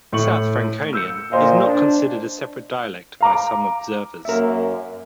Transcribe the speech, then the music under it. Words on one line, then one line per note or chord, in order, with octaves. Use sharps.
South Franconian is not considered a separate dialect by some observers.
A2 C#6 F#7
E6 G6 C#7
A#2 C5 D#5 F5
D4
F5 A#5 D6
F#2 A#3 A#4 E5